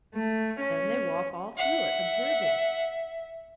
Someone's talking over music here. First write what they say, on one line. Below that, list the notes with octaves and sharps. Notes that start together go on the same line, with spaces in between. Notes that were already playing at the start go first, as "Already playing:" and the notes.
"Then they walk all through it, observing."
A3
C#4
E5 F#5